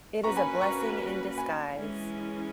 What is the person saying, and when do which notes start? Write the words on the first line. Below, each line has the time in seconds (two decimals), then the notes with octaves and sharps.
It is a blessing in disguise.
0.24 A#3 C#4 F#4 B4 A#5 C#6
0.36 G#5 B5
0.61 A#5 C#6
1.38 G#5 B5
1.75 E3 G#3 C#4